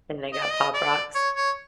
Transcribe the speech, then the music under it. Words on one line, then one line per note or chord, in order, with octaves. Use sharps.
And they got Pop Rocks.
D#5
D5
D#5
D5
C#5
C#5